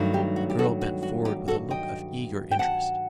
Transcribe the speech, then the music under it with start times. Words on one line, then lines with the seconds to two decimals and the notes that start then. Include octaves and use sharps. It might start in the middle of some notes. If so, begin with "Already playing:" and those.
The girl bent forward with a look of eager interest.
Already playing: G2 D#3 F#3 A3
0.13 D#4 G4
0.36 F#4
0.50 G4
0.59 F#4 A4
0.81 F#4
1.03 F#4
1.25 D#4 G4
1.48 F#4 A4
1.70 D#5 G5
2.51 G5
2.59 F#5 A5